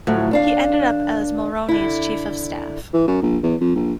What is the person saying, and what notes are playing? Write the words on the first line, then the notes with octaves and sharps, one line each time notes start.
He ended up as Mulroney's chief of staff.
D2 A2 F3 F#3
D#2 D4 F5
D3 E4
E3
F#2
A#1
E2
F2
A#1